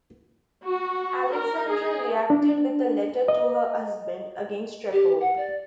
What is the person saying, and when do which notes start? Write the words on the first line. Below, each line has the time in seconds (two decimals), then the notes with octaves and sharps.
Alexandra reacted with a letter to her husband against Trepov.
0.64 F#4
1.33 A#4
1.67 G#4
2.30 D4
3.28 D#5
4.93 G4
5.21 F#5
5.37 D5